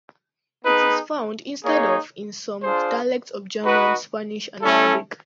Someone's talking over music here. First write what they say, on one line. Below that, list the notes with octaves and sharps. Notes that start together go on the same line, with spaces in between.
It is found instead of in some dialects of German, Spanish and Arabic.
B3 D#4 G#4 B4
A#3 D#4 G#4 C#5
D4 F4 G#4 C5
D#4 F#4 B4 D#5
A3 C#4 E4 A4